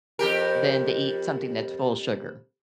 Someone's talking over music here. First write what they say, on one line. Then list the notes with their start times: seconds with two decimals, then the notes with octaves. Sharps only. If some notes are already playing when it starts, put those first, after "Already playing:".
than to eat something that's full of sugar.
0.19 F2 G4 A#4